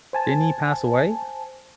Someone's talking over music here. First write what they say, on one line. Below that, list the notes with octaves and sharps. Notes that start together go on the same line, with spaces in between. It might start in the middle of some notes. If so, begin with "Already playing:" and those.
Didn't he pass away?
C5 G#5 A5